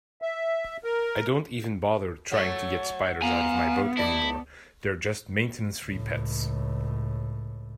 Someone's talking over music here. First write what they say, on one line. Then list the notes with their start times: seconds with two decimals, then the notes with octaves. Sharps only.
I don't even bother trying to get spiders out of my boat anymore, they're just maintenance-free pets.
0.22 E5
0.84 A#4
2.32 F#3 A3 C#5
3.22 B3 F5 G#5 A#5
3.97 D#4 E4 D5 A5
5.83 C#2 A2